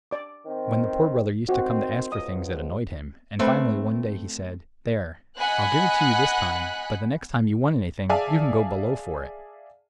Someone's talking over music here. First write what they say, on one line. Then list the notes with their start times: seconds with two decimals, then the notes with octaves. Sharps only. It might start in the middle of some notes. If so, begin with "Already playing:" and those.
When the Poor Brother used to come to ask for things it annoyed him, and finally one day he said, "There, I'll give it to you this time, but the next time you want anything, you can go Below for it!"
0.11 D5 D6
0.47 D#3 C4
1.49 D#3 C4 F#4
2.12 C#2 G#2 G#3 D#5 D#6
3.39 A3 C4 B4
5.38 D#5 F#5 G#5 B5 F#6
8.09 G#4 D5 E5 F5 G#5 A5